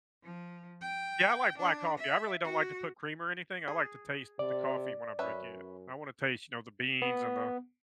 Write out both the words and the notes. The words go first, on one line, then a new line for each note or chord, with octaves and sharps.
Yeah, I like black coffee. I really don't like to put cream or anything. I like to taste the coffee when I'm drinking it. I wanna taste, you know, the beans and the
F3
G5
D4
E5
F#4
G#4
C3 D5
F#2 C#4 B4 E5
B3